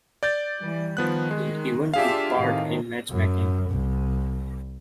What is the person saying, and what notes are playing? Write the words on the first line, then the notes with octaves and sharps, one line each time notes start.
He even took part in matchmaking.
D5 G6 A6
E3 G3
D#3 F3 B3 F#6
G#3
D4 F4 G4 G#4 E5 F5
A2 C3 D#3
F#2
C2